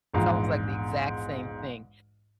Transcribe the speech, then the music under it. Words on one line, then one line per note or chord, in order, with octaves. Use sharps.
it's almost like the exact same thing,
A#1 E2 G#2 F5 A#5